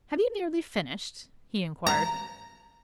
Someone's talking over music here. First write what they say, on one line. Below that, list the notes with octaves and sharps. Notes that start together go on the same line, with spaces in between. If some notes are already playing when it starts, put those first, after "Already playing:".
"Have you nearly finished?" he inquired.
A#5